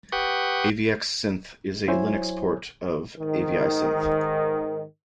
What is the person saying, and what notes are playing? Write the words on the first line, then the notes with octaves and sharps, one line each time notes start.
AvxSynth is a Linux port of AviSynth.
G4 B4 F#5 G5 C#6 D#6
F#3 E4 C5 C#5 G#5
G#2 D#3